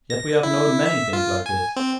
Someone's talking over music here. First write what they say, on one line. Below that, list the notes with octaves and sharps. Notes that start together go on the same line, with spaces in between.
Yet we have known many things like this.
A#6
E4
E5
F4
G#5
C4